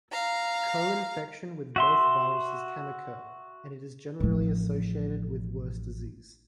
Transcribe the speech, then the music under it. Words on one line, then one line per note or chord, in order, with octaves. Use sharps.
Co-infection with both viruses can occur, and is generally associated with worse disease.
F5 A#5
F#4 E5 C6
A1 F3